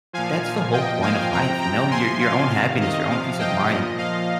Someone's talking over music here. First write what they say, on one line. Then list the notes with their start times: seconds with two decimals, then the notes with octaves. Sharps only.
that's the whole point of life, you know, your your own happiness, your own peace of mind.
0.13 A#2 F3 F5 G#5
0.73 A#2 F3 D#5 G5
1.02 F5 G#5
1.32 C3 F3 G5 A#5
1.61 G5 A#5
1.91 C3 F3 G#5 C6
2.21 F5
2.50 C3 D#3
2.81 D#5
3.11 C3 F3 F5
3.39 D#5 G5
3.69 A#2 F3 D#5
3.98 F5